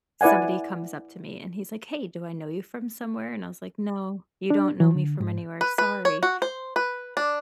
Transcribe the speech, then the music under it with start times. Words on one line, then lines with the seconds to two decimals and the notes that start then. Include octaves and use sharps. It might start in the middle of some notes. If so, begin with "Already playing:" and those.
somebody comes up to me, and he's like, "Hey, do I know you from somewhere?" And I was like, "No, you don't know me from anywhere, sorry."
0.21 E4 B4 D5 F#5 G#5
4.50 D4
4.80 E3
4.95 D3
5.20 G#2
5.61 B4
5.78 B4
6.05 C#5
6.23 F#4
6.42 C5
6.76 B4
7.17 D4